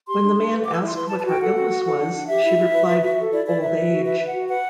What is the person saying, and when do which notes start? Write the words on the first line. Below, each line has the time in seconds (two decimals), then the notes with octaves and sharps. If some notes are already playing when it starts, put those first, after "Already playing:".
When the man asked what her illness was she replied, "Old age".
0.07 G4 C6
0.23 D4
0.37 D4
0.52 B4
0.63 B4 D6
0.74 E6
0.81 E4 C6
0.96 B4 C6
1.07 A5
1.11 B4
1.19 A5
1.25 F#4 G5
1.40 A4 F#5
1.56 F#4
1.69 F#4
1.84 A4 F#5
1.99 D4
2.14 D4
2.28 G4 E5
2.44 E4
2.58 E4
2.73 B4
2.87 B4
3.02 F#4
3.16 A4
3.31 E4 D5
3.46 E4 D5
3.61 B4 E5
3.75 B4
3.90 F#4
4.05 B4 E5
4.20 B4
4.27 F#5
4.34 F#4
4.49 B4 F#5